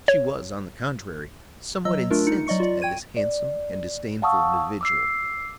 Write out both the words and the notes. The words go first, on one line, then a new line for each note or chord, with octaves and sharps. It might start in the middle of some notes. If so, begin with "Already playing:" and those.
She was, on the contrary, somewhat incensed at this handsome and disdainful individual.
C#5
F#3 D#5 E6
A3 D4 F4 A#4
D#4 C#7
F#3 D5 D#5 C#6 C#7
F4 D5
G5 G#6 D#7
D5
F5 F#5 A5 C#6 D#6 E6
D6 E6 C7